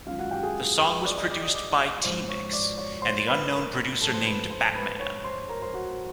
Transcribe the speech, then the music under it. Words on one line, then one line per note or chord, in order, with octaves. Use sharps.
The song was produced by T-Mix and the unknown producer named Batman.
F#2 D#3 G#3 C#4 F4 F5
F#4 F#5
G4 G5
G#4 G#5
B4 B5
D5 D6
D#5 D#6
D5 D6
D#5 D#6
D5 D6
G#2 F3 G#3 C5 C6
C#5 C#6
D5 D6
C#5 C#6
C5 C6
B4 B5
A#4 A#5
G#2 F3 A3 D4 A4 A5
C5 C6
B4 B5
C5 C6
B4 B5
C#5 C#6
C5 C6
A#4 A#5
C5 C6
F#4 F#5